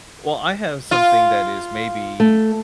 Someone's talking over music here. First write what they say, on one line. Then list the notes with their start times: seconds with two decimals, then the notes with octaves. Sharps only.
Well, I have something that is maybe,
0.91 F4
2.20 A3